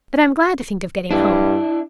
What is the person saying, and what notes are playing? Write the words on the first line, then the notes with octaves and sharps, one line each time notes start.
But I'm glad to think of getting home.
G2 D4 E4